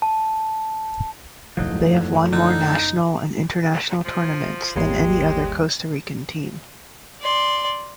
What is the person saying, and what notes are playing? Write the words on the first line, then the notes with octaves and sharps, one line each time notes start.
They have won more national and international tournaments than any other Costa Rican team.
A5
F#1 E2 A2 F3 F#3 D#4
D3 D#4
F3
G#1 D#2 G3 G#3 A#3 G4 C#5 C7
D5 C6